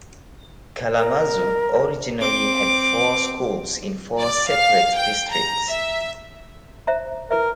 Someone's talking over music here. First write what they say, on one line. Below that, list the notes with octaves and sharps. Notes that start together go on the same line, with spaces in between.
Kalamazoo originally had four schools in four separate districts.
A#4
C4 D6
D5
F5
G5
A#5
E5
C5 E5 A#5
E4 A#4 B4 E5